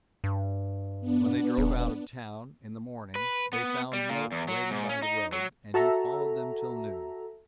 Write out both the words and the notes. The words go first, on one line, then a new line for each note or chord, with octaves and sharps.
When they drove out of town, in the morning, they found Milt waiting by the road, and he followed them till noon.
G2
B3 D4
D#1
B4
B3
G3
A#2
E2
F#3
G#2
C#4
D#4
F#3
F#4 A4 E5 A#5